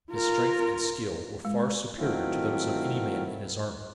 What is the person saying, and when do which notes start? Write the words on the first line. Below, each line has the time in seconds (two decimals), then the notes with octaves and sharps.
His strength and skill were far superior to those of any man in his army.
0.11 F4 A#4
1.45 G#3
1.97 D#3 F#3 A3 C4 E4 F4